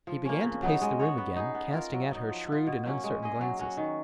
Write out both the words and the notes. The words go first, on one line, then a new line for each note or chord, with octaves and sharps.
He began to pace the room again, casting at her shrewd and uncertain glances.
F3
A#3 C#4
C#3
F#3 B3 D#4
G#3
B3 F#4 C#5
B3
D#4 G#4
B3
F4 A#4
F#3
B3 D#4
F3
B3 F4
B2
F#3 A#3 C#4
G#3
C#4 G#4 D#5
F#3
C#4 F#4
D#3